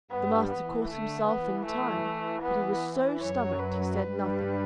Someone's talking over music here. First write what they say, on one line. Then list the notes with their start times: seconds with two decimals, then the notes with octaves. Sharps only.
The master caught himself in time, but he was so stomached, he said nothing.
0.11 G2 G3 B3
0.49 E3 B3
0.88 D3 A3
1.27 E3 B3
1.66 A3
2.42 B3
3.20 F#2 F#3 C#5
3.59 B4
3.98 G2 G3 B4